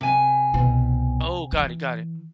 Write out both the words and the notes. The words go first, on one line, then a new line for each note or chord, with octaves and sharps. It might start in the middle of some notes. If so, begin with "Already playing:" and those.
Oh, got it, got it.
C3 G#5
C2 B2
E3